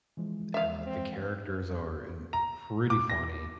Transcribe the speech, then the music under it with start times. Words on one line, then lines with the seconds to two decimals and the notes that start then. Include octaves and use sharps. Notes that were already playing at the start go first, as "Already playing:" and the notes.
Uh, the characters are in pretty funny.
0.17 E3 F3 G#3
0.54 E5 F5
0.86 C4
2.33 A#5
2.90 D6
3.10 A#6